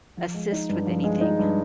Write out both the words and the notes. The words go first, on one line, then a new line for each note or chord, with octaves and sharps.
assist with anything?
F3
G#3
D#4
G2
F3
G#3
D#4
G2